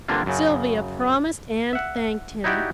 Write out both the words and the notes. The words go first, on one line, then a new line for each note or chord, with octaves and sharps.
Sylvia promised and thanked him.
G2 D3 A#3 C4 D4 F4
F#2 C#3
E5 F#5
D#4 E4 F#4 G4 D5